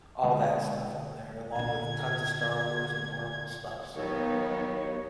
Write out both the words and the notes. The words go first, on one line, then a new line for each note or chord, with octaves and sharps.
all that stuff on there along with tons of Star Wars and Marvel stuff, so,
B2 D3 G#3
A#2 D3 G#6
D#2 F#3 B3 D#4 C#5